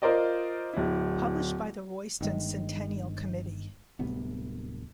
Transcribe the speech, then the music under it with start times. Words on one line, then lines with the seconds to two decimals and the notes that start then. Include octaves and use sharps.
Published by the Royston Centennial Committee.
0.02 F4 A#4 C5 D5 D#5
0.73 D1 E4
2.20 G1 D#3 G#3
3.99 D1 C2 B3